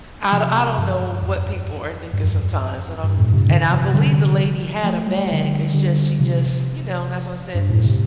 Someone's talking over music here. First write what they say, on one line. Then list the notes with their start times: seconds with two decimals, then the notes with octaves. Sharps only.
I don I don't know what people are thinking sometimes but I'm, and I believe the lady had a bag, it's just, she just, you know, that's why I said, it's
0.32 C3 F3
0.78 G2
1.00 G2
1.22 F2
2.13 G2
2.23 F2
2.42 F2
3.04 G2
3.18 F2 A2
3.33 G2 C3
3.49 A2 D3
3.71 C3 F3
3.94 D3 G3
4.84 F3 A3
5.07 G3
5.19 F3
5.32 D3 G3
5.74 D3 G3
6.19 C3 F3
7.55 G2
7.70 F2 A2
7.84 C3